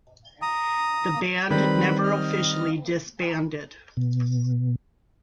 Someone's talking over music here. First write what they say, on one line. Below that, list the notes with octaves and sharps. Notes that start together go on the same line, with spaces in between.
The band never officially disbanded.
A#5 D#6
D#3 G3 C4 B4 B5
D#5 F6
B2